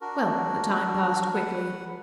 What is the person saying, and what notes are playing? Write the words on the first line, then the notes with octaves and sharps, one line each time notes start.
Well, the time passed quickly.
D4 F#4 A#4
B4 F#5